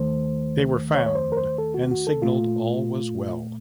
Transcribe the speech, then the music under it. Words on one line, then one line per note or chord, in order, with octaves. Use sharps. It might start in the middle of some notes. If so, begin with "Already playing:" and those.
They were found and signaled all was well.
Already playing: D#2 D#3 A3 C5
C#5
C#5
C5
A#4
C5
A4
F#4
F#4
A4
A#2 A3 F4